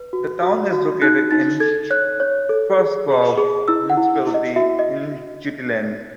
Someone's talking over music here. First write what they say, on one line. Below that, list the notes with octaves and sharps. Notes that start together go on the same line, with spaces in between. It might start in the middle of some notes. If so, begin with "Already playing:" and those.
The town is located in Favrskov municipality in Jutland.
Already playing: B4
F#4
F#4
F#4
D#4 F#6
D#4 A6
A4 G#6
C#5 F#6
C#5
A4
G#4
G#4
G#4
E4 E6
F#5
E4
E4
D#5
F#4 E5
D#5